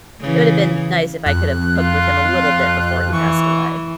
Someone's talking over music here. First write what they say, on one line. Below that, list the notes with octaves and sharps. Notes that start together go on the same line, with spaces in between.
it would've been nice if I could've cooked with him a little bit before he passed away.
C#3 E3
F2 F#6
F4
E3 C#6